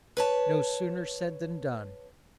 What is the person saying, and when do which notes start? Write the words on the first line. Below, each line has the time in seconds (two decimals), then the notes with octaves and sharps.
No sooner said than done.
0.17 B4 C#5 A5